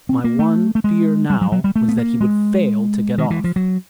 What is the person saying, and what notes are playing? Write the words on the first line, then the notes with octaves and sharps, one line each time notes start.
My one fear now was that he would fail to get off.
C4
A#3
A3
A3
G#3
G3
F#3
F#3
G3
A3
B3
A#3
G#3
D#3
E3
F3
F#3